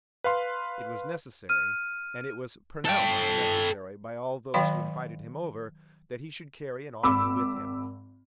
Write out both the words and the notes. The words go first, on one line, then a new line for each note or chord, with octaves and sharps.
It was necessary, and it was pronounced necessary by all those who invited him over, that he should carry an army with him.
B4 F5 C6
F6 D#7
A4 G5
D#3 F#3 C#5 F5 G5 C6
G#1 B5 D6 E6